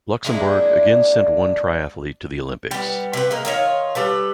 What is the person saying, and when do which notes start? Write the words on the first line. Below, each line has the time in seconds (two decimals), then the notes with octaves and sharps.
Luxembourg again sent one triathlete to the Olympics.
0.25 G#3 A#3 D4 E4
2.71 G3 B3
3.13 C3 B4
3.31 G#3 A#3
3.45 D#3 F4 C#5
3.95 G3 A4 B4